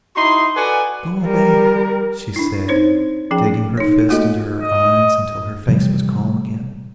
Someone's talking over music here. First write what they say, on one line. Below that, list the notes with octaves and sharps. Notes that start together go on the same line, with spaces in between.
"Go away!" she said, digging her fist into her eyes until her face was calm again.
D#4 E4 F#4 D#5 C6
F#4 A4 B4 D5 F#5 G#5
G3 A#4
D4 E4
C4 D#4 C5 C#5
F3 C#4 G#4 G5
D#4 C#5
A3 A#3 F4 F#4 A4 D#5
D#5
C3 E3 F3 G3